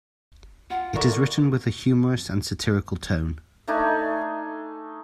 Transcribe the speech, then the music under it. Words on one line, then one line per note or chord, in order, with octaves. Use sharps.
It is written with a humorous and satirical tone.
F4 F#5
D3 E4 A#4 C#6
A3 D4 D#4 G#5